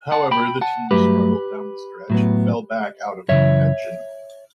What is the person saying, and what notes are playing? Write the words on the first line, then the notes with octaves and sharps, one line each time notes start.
However, the team struggled down the stretch and fell back out of contention.
F#5 A5
G5 B5
F#5 A5
G2 F#3 A3 G4 B4
A2 F#3 B3
F#2 C#3 E3 C#5 E5